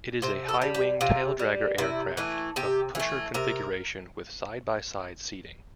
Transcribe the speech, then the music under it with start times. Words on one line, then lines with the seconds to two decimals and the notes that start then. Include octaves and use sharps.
It is a high-wing taildragger aircraft of pusher configuration with side-by-side seating.
0.22 C3 C5
0.49 A4
0.62 G3
0.75 G4
1.01 C3 F4
1.39 G3
1.78 C3 E4
2.17 E3 A3
2.56 C3 G4
2.95 E3 A3
3.34 C3 A#4